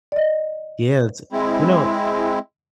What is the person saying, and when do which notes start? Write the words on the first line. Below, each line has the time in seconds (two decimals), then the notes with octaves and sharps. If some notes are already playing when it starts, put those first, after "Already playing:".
Yeah, it's you know
0.12 D5 D#5
1.32 G#3 C4 E4